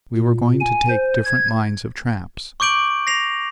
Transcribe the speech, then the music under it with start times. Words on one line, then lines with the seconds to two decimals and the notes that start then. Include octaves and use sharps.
We were going to take different lines of traps.
0.17 A#2
0.60 G#5
0.89 C5
1.25 G#6
2.60 C#6 D6 G6 D7 F#7
3.07 A#6 C7 F7